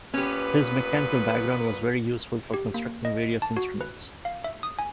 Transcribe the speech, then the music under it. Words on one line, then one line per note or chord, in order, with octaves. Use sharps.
His mechanical background was very useful for constructing various instruments.
A#2 B3 C#4 G4 B4
G4
A#3
D#5
A5
F#4
B4
F5
E5
D#6
G#5